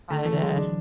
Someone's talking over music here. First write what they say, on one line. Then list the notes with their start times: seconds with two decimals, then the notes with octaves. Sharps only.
but, uh
0.10 D3 A3
0.25 E3 A3
0.42 F#3 G#3
0.57 D4